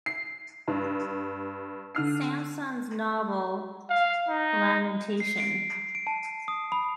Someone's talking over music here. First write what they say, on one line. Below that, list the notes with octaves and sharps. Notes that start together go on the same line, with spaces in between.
Sansom's novel "Lamentation".
C7
G2
D3 F6 C7
F5
D#4
C7
D7
D7
A5
D#6
B5